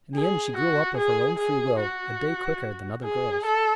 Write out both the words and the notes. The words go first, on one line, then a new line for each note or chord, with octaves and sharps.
In the end she grew up of her own free will a day quicker than other girls.
G#4
F#4
G#4
G#4
F#4
G#4
A4